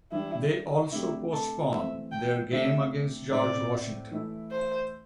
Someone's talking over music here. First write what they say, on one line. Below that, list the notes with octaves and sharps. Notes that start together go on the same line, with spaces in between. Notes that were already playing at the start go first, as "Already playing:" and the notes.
They also postponed their game against George Washington.
E3 G3 D4 E4 G4
C3 A3 D4 E4 G4
A4
E3 A3 C4 E5
G5
C3 A3 D4 G4 E5
A2 A3 C4 E4 D5
E3 A3 E4
C5